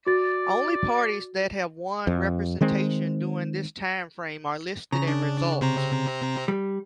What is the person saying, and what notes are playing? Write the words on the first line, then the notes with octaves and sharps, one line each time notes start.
Only parties that have won representation during this timeframe are listed in results.
F#4 D5 A6
F2
D#3 G#3 C4
C#3 A#5
D4
C3 C4 A#5
G3